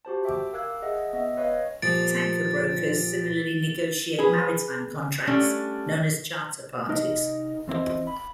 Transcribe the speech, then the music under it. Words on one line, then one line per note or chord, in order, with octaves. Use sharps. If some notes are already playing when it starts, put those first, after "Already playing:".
Tanker brokers similarly negotiate maritime contracts, known as Charter Parties.
F#4 G4 C5 A5
E5 G5 D6
A#4 F5 E6 F#6 G#6
G#4 D#5 E5 F#5
B3 D#5 E5
B4 C#5 D#5 F5
A#2 F3 G3 A6 D7
G#4 B4
G3 A3 C#4 D4
C2 D#4 A#4 D#5
E2 C4 E4 D#5
B5